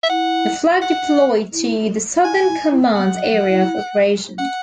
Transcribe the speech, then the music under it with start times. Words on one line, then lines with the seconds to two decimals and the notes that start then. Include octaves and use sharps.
The flag deployed to the Southern Command's Area of Operation.
0.03 E5
0.09 E4 F#5
0.82 F#5
1.52 E4
2.24 E4 G#5
2.48 E4
2.71 E4
2.95 B3 F#5
3.14 F#3
3.31 F#3
3.49 E4
4.38 C#4 F#5